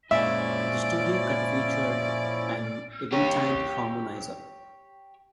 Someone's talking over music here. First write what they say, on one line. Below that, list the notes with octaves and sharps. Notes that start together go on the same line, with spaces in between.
The studio cut featured an Eventide Harmonizer.
A#2 F3 G#3 C#4 E4 D5 E5
G4 C#5